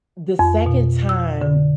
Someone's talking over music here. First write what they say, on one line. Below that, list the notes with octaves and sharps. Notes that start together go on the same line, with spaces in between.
the second time
F2
B2
E6
D3